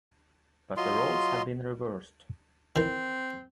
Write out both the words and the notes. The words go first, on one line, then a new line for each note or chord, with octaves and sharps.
But the roles had been reversed.
F#3 F4 D#5 C6
D#3 E3 C4